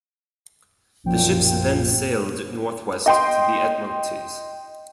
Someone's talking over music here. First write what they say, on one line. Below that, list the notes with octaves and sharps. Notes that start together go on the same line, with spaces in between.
The ships then sailed northwest to the Admiralties.
B1 F#2 A#2 F3 G5
D#5 G5 C6